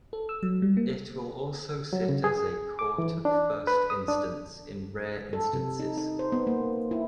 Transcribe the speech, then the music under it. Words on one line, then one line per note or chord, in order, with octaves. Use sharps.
It will also sit as a court of first instance in rare instances.
A4
E6
F#3
G3
A#3
F#3
C#3
G#4
D6
E3
D4
B4
D#6
D4
A4
C3
D#4
D#4
C5
B3
A#3
E4